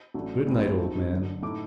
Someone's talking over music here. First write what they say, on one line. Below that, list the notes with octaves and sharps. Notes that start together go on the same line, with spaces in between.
"Good-night, old man."
A1 A2 F#3 A3 D4
A#1 A2 A3 C4 D#4
G2 F#3 A3 D#4
F#1 F#2 D3
A2 A3 D#4 D6